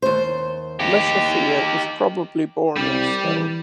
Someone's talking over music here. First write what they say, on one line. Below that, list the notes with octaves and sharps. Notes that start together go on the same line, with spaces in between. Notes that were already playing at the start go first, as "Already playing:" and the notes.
Musaphia was probably born in Spain.
D#2 C5
D#4 G4
C2 G3 D5
E3